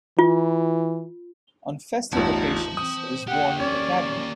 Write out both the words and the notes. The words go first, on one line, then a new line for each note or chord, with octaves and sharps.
On festive occasions, it is worn with a kabney.
E3 F4
A1 E2 D#4 F4 C5 A5
C4 D#6
A#3 G4 F#5 G5
C#4 D5